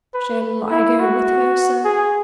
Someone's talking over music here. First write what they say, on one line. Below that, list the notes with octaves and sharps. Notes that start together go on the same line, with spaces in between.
"Shall I go with her, sir?"
B4
E4
F#4
G#4